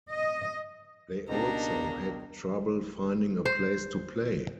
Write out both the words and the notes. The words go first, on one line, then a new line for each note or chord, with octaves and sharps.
They also had trouble finding a place to play.
D#5
C#2 B2 A#3 D4 D#4 G4 A#5
C5